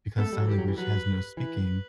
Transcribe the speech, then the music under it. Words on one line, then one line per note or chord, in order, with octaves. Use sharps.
because sign language has no speaking,
B3 A4
A3
G3
F#3
E3 G4
F#3
E3
F#3 B4
E3 B4